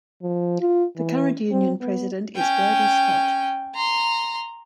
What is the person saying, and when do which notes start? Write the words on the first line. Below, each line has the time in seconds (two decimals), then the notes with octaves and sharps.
The current Union President is Brodie Scott.
0.23 F3
0.61 F4
0.96 E3
1.51 C4
1.80 B3
2.35 C#4 G5
3.74 A#5 C6